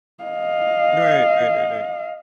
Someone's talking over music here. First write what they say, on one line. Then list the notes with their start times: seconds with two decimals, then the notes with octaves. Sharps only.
Right, right, right, right.
0.24 D#5 F5